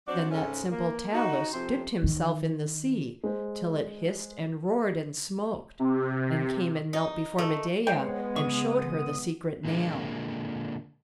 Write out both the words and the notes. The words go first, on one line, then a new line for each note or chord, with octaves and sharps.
Then that simple Talus dipped himself in the sea, till it hissed, and roared, and smoked; and came and knelt before Medeia, and showed her the secret nail.
F#3 C4 D4 F#4 C5 D5
G#2 C#3 A3 C#4
A#3
D#4 F#4
F2 C3 C5
D#3
G#3 C5
C3
D#4
A3
G#3 B3 C5 C#5 G5
C#3 C#6 D#6
A#2 D3 G#3 A#3